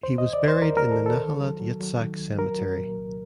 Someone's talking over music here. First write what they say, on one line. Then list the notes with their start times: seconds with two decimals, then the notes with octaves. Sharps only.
He was buried in the Nahalat Yitzhak cemetery.
0.03 D#2 C5
0.18 D#2 D#5
0.33 D5
0.43 D#2
0.48 C5
0.62 D#2 A#4
0.77 D#3 A#4
0.92 A4
1.02 D#3 A4
1.21 C2
1.40 F#3
1.60 F#3
1.80 F#3
2.00 D#3
2.19 C2
2.39 F#3 A#4
2.59 F#3
2.78 A#2
2.97 C2